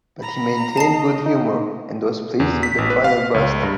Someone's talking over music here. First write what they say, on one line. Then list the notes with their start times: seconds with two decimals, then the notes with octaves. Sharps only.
But he maintained good humor, and was pleased with the final bust.
0.22 A#5 B5
0.77 D#5 A5 C7
1.26 D#4
2.40 E2
2.63 B6
2.78 A1
2.90 B4
3.04 F5
3.34 C#2
3.63 G2